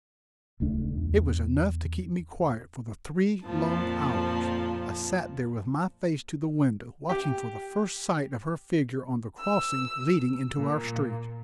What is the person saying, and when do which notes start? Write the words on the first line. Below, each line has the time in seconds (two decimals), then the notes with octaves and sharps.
It was enough to keep me quiet for the three long hours I sat there with my face to the window, watching for the first sight of her figure on the crossing leading into our street.
0.60 D#1 C#2 A3 D4
0.97 E2
3.45 F2 A#2 F3 A5
7.09 G4
9.40 E6
10.57 A#2